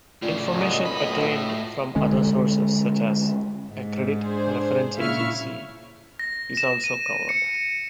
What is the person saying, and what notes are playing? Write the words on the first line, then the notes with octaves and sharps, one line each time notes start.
Information attained from other sources, such as a credit reference agency, is also covered.
A2 C#3 F4 D5
F#2 D#5
B1 A2 B5
D3 G#3 C#4
G#2
D4 G#4 C5
A#2 C#3 E4 F5 C#6 F6
A#6
E7
D#7
C#7